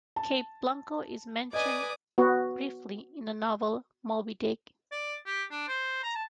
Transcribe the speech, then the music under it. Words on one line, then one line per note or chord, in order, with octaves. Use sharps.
Cape Blanco is mentioned briefly in the novel "Moby Dick".
A5
B4 D5 D#5 G#5 D6 D#6
B3 F#4
D5
G4
D4
C5
A#5
A5